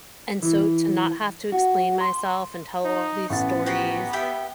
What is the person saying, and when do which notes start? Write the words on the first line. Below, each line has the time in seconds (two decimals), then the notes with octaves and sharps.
and so to not have to explain myself and tell all these stories
0.43 E3
1.52 F#4
2.01 C6
2.84 D#4
3.30 A1 B3 F#5 A6
3.66 F#4 G4 A#4
4.13 G4 E5 G5